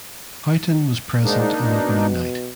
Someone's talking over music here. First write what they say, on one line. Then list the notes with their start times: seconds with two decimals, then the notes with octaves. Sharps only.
Houghton was present on opening night.
1.24 G#2 A#3 D4 D#4
1.67 B2